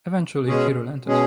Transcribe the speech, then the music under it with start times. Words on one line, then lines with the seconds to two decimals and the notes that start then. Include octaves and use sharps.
Eventually he relented.
0.46 B2 G#3 C#4 G#4
1.06 B2 G#3 C#4 G#4